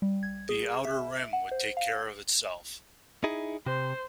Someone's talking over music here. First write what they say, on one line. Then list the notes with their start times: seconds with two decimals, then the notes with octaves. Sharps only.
The outer rim would take care of itself.
0.02 G3
0.23 G#6
0.49 G#4
0.85 E5
1.33 F#5
1.51 C5
1.77 F5
3.24 D#4 E4 G#4
3.66 C3 C5